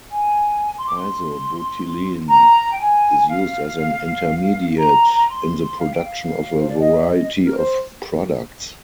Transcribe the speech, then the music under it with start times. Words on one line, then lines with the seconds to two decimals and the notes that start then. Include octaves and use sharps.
Isobutylene is used as an intermediate in the production of a variety of products.
0.10 G#5
0.77 C6
0.87 D6
0.95 C6
2.28 A#5
2.72 G5
2.78 G#5
3.29 F5
4.78 A#5
5.29 C6
5.78 F5
5.92 G5
6.06 F5
6.56 C5
6.68 D5
6.79 D#5
7.43 A#4
7.55 C5